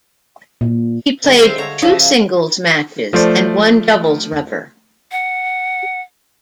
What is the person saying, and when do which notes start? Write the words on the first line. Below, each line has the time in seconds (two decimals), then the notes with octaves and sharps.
He played two singles matches and one doubles rubber.
0.61 A#2
1.24 D#3 G3 G#3
1.41 C4 C5 E5 F5
1.58 D3 C#5 A#5
1.82 C#3 F3 D#5 E5 A5
3.13 F3 A3 C5 D5
5.12 F#5